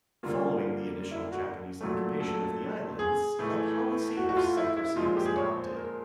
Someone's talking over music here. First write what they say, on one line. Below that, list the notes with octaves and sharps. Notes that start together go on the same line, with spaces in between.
Following the initial Japanese occupation of the islands, a policy of secrecy was adopted.
D3 G3 A#3 F4
E4
F#4
A#2 F#3 A3
A4
G#4
A2 E3 A3
F#4
F#4
F4
E4
E4
A#2 F3 G#3 F4
G4
G#4
C#5
C5
A#4